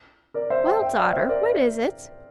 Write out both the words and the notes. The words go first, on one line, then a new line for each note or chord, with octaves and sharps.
"Well, daughter, what is it?"
A#4 D5
C5 E5
E5 G5
E5 G5
D5 F5
C5 E5
A#4 D5